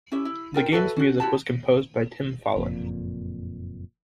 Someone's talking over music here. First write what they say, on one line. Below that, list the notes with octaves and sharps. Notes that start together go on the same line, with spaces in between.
The game's music was composed by Tim Follin.
C#4 E4 G4 E5
E4
F4 A#4 G5
F#4 A4 B4 E5
C#4 F#4
E4 F#4 G4 A5
F#1 F2 A#2